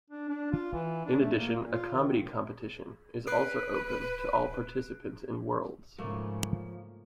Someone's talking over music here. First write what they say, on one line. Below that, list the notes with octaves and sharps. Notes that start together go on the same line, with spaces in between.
In addition, a comedy competition is also open to all participants in Worlds.
D4
D4
F4
E3
D4
A3
A#3
A#2
F4
D#3
B4 F#6 C7 D7
G#2 C#3 F3 A3 A#3